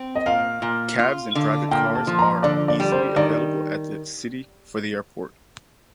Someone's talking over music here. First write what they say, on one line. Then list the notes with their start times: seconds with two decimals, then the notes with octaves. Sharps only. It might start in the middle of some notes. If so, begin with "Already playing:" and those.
Cabs and private cars are easily available at the city for the airport.
Already playing: C4
0.16 D#5
0.26 A#2 F5
0.62 A#2
0.99 F4
1.35 D3
1.71 A#2 G5
1.95 A5
2.07 F3
2.19 A#5
2.43 D3 D5
2.68 D5
2.80 G3
2.92 C5
3.16 D#3 D5